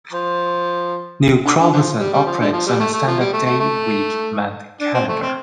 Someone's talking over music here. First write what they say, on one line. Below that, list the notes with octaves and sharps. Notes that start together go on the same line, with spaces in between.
New Crobuzon operates on a standard day, week, month calendar.
F3
D3
D3
D3 F3
G3
G3
F3
D3
F3
G3
A3
A3
F3
G3
A3
A3
A3
D4
C4
A3
C4